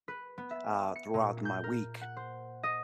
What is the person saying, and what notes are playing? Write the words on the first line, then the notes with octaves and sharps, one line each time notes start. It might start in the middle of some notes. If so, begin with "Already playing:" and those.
uh, throughout my week.
B4
B3
E5
C#7
A#2
G6
A#4
F#5
C5
D#5